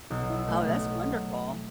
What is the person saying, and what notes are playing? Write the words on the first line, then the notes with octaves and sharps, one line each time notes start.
Oh, that's wonderful.
B1
E4
A3
B1